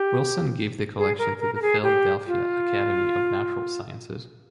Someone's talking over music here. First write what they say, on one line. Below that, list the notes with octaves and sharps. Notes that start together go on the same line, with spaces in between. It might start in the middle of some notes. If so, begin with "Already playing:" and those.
Wilson gave the collection to the Philadelphia Academy of Natural Sciences.
Already playing: G4
G#4
A#4
A#4
A#4
G#4
G4
F4